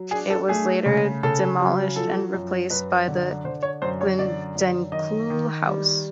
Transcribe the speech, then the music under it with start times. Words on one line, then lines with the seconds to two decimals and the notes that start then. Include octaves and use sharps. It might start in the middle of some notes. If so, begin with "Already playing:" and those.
It was later demolished and replaced by the Gyldenklou House.
Already playing: F#3
0.11 D4 G#4
0.30 A4
0.48 A3 G#4
0.86 C#3
1.23 C#3 A4
1.60 F#3
1.96 F3 A4
2.34 F#2
2.70 F#2 B4
3.08 D3
3.44 D3 C5
3.63 C#5
3.82 F#2 C5
4.01 C#5
4.19 D3 D5
4.56 F#2
4.92 D#3 D#5
5.30 D#3
5.67 G3